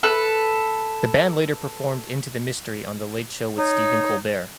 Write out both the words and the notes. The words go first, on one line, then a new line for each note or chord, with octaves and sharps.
The band later performed "Into the Mystery" on "The Late Show with Stephen Colbert".
A4 B4
D#4 C#5